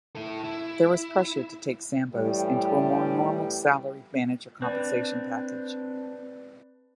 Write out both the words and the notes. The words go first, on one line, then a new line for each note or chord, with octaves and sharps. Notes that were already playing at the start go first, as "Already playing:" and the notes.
There was pressure to take Sambo's into a more normal salaried manager compensation package.
E4 A4
E4
A2 E3 G3
C4 D4 B4 D5